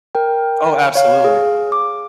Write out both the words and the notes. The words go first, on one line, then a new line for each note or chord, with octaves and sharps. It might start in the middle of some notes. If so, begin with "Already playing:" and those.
Oh, absolutely.
A#4 G5
C#5 F5
G#4 F5
D6